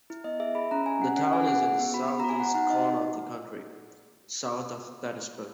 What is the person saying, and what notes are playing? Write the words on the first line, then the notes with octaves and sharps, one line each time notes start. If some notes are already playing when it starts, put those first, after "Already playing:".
The town is in the southeast corner of the county, south of Plattsburgh.
E4
B3 D#5
G#4 E5
G#4 B5
C#4 A#5
G#4 G#5
C#4 F#5
C#4 F#5
G#4 G#5
G#4 F#5
G#4
B3
F#4 B5
B3 B5
A#5
F#4
G#5
F#4 F#5
D#4 F#5
D#4 D#5